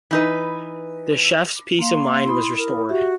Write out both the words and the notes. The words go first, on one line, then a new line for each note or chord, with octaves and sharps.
The chef's peace of mind was restored.
E3 D#4 B4
A#3 F5 C6
E4 B5 D#6
A#4
F#4 G4 E5